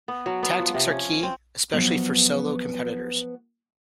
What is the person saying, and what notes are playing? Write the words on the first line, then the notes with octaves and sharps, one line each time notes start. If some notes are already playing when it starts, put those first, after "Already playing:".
Tactics are key, especially for solo competitors.
B3
F#3
B3
F3
C3
C#4
C4
F3 F#3 B3 F#5